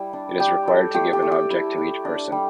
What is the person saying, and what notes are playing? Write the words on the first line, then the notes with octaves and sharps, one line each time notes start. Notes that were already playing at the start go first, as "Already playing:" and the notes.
It is required to give an object to each person.
Already playing: G3 E4
D4
G3 G4
G3 A4
A3 G4
G4
A3
G4
E4
E4
D4
G3